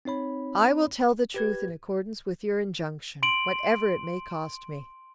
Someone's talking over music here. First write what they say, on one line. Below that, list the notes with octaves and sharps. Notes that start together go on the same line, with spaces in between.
I will tell the truth in accordance with your injunction, whatever it may cost me.
C4 D#4 C#5 B5
G4 B4 G#6
C6 D7 F#7